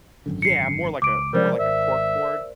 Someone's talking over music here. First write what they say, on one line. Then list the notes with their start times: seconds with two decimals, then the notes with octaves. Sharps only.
Yeah, more like a more like a corkboard.
0.26 G#1 F#2 D3
0.42 C7 C#7
1.02 C#2 D6 D7
1.33 C3 F3 G3 G#3 A#4 C5 D5
1.60 G#1 E5